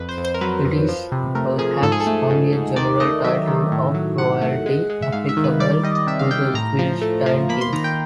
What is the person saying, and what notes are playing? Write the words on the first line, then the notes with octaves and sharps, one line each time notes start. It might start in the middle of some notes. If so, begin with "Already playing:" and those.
It is perhaps only a general title of royalty, applicable to the Philistine kings.
Already playing: F2 B4
C5
F2
C5
A#4
F#3 B4
F2
F3
C3
A3 A#4
F3 G#4
G#2 A4
G#4
A4
A3
G#2
G#2
D#3 D5
A3 D#5
F#3 E5
D#3
A2
F#3
A2 F#5
A3
G#3
G#3
E5
G#2 F5
E5
D#3
B4
G3 D5
G3 D#5
D#5
C3 E5
F5
G3 G5
A2 A#5
F3
A3
F3
A#3 B5
C6
D#3 A#5
G5